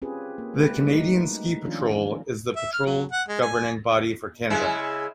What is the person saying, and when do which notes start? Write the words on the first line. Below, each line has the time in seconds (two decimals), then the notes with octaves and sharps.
The Canadian Ski Patrol is the patrol governing body for Canada.
0.02 C4 C#4 F4 G4 G#4 B4
0.38 A#3
0.54 G#3 A#3 C4 F#4 G4 B4
0.83 G3 A3 D#4
1.63 D#3 F3 C#4 D4 F4
1.90 D#4
2.56 E5
2.73 F6
2.86 F#3
3.12 F#5
3.28 G#3
3.42 G#5
4.50 C#3 G#3 E4